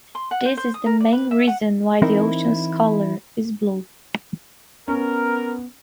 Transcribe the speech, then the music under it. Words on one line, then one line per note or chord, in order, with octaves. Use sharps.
This is the main reason why the ocean's color is blue.
C6
F#5
C5
C5
D#6
A#4
D5
B4
E5
F#5
E3 C4 D#4 E4 A#4 C5
B3 C#4 A#4